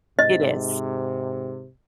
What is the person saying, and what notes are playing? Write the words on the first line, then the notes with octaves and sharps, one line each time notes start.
It is.
G#2 C3 D#5